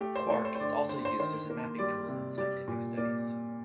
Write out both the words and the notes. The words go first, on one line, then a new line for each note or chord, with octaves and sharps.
QuArK is also used as a mapping tool in scientific studies.
A3 G4
C5
A3 C5
C5
C5
D3 D5
D3 C5
C5
D#3 C5
A#3
G3 D5
C3
G3 D5
A#2
A#3 D5